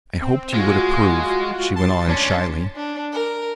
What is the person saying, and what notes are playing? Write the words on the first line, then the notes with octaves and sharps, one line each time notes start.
"I hoped you would approve," she went on, shyly.
C4
G#3 F4 F#4
A5 C6 A6
C#4 D4
D4
A#4